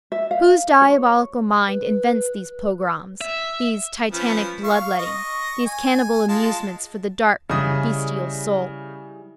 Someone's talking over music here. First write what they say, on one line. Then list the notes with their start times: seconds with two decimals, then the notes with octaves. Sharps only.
Whose diabolical mind invents these pogroms--these titanic blood-lettings, these cannibal amusements for the dark, bestial souls?
0.12 E5
0.31 F5
0.81 C#5
1.67 B4
3.21 E5
4.12 F3 C#4 B4
4.64 F5 C#6
4.99 D#5 C#6
5.66 G#5
6.29 G#3 F4 A5
7.50 C#3 G3 E4 G#4 D#5 D#6